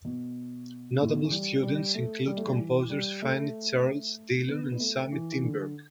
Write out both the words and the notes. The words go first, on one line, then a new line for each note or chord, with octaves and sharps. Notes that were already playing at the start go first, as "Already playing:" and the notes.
Notable students include composers Fannie Charles Dillon and Sammy Timberg.
B2
A2
B2
D3
E3
G3
G3
A3
G3
A3
G3
E3
G3
A3
B3
B3
A3
E3
E3
D3